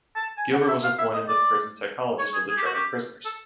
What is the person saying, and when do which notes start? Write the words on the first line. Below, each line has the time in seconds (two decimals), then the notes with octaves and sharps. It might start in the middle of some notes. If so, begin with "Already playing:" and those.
Gilbert was appointed the Prison Psychologist of the German prisoners.
0.16 A5
0.37 G#5
0.53 F#5
0.69 E5
0.84 F5
0.98 E5
1.14 D#5
1.28 D5
2.18 C#5
2.33 G#4
2.49 G#4
2.57 G4
2.65 F#4
2.74 G4
3.25 A4